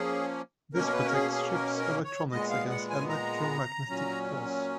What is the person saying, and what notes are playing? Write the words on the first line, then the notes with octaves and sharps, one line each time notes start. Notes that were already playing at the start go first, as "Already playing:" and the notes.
This protects ship's electronics against electromagnetic pulse.
Already playing: F3 A#3 C#4 G#4
B2 A#3 C#4 A#4
A#4
B4
A#4
G#4
G#4
A#4
A#4
C#5
A#2 G#3 B3 D#5
F5
F#5
G#5
A#5
A#2 F#3 C#4